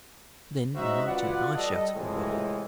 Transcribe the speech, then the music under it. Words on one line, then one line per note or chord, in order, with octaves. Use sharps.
Then, in my turn, I shouted "Whoa!"
G#3 C#4 D#4 F#4 C5 E5
F4 F#4 B4 D5 F#5
G3 A4 D#5
A2 C3 E3 F3 G#3